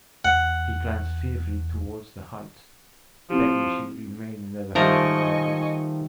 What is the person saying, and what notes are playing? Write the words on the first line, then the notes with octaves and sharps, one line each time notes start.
He glanced fearfully towards the Heights, begging she would remain another half-hour, at least.
E2 F#5
F3 C4 E4 G4
D#3 F3 G3 A3 A#4 D#5 G#5 C#6